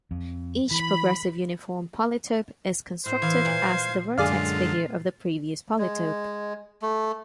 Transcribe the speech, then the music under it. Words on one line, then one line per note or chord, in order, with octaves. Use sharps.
Each progressive uniform polytope is constructed as the vertex figure of the previous polytope.
F2
E3 B5
A2 C5
E3 F5 G#6
A#2
F#2 D3 G#3 F4 G#4 D5 F5
G#3
A3